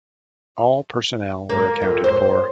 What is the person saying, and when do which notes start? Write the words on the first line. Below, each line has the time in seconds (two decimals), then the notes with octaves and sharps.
All personnel were accounted for.
1.49 A#3
1.81 F2
2.04 C5